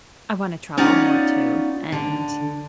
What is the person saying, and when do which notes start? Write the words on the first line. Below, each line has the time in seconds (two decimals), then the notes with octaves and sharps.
I wanna travel more, too, and
0.77 B3 C#4 D#4 F4 D5 F#5
1.92 D3